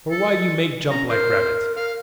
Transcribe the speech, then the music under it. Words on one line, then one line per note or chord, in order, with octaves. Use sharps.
For why you make jumps like rabbits!
A4
C#4 A#5
A#4 C5
A#4 F5